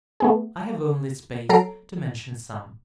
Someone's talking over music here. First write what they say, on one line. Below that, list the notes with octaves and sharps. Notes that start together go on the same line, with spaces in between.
I have only space to mention some.
A3 B3 G#4
F#3 A4 A#5 C7 D7